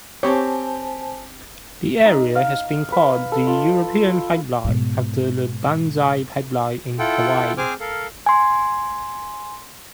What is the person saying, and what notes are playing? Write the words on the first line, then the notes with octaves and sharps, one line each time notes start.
The area has been called the "European Pipeline", after the Banzai Pipeline in Hawaii.
C4 G4 C5 C#5 G#5 A5
D#4
F5
B4
A4
F4
G#2 B2
E4 F4 A4 F#5 G5
C4 G#4 C5 G#5 D6 F6
A4 A#4 F5
G#5 C6